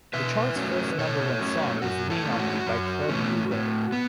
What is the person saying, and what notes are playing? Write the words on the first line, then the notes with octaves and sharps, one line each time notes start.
The chart's first number one song was "Lean on Me" by Club Nouveau.
B2 B4 E5
F#3 A3 C#4
B2 A4 C#5
F#3 A3 C#4
F#2 F#4
E4 A4
E3 A3 C#4
F#4
F#2
E3 A3 C#4
A2
B3